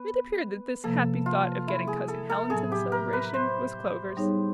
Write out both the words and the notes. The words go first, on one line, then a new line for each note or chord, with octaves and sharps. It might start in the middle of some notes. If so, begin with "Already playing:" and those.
It appeared that this happy thought of getting Cousin Helen to the "Celebration," was Clover's.
Already playing: B3 B4
C3 F3 A#3 A4
F4
E4
G#4
A4
A4
A2 F#3 B3 G#4
G4
A#4
B4
C5
G3 B3 D#4 G#4 C#5